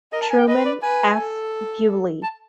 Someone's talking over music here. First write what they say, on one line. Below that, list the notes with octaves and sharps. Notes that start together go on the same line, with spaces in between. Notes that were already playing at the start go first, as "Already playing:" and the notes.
Truman F. Bewley.
A#4 D#5
A5
G#5
G5
B4 D#5
D5
B4 G#5
A4
A5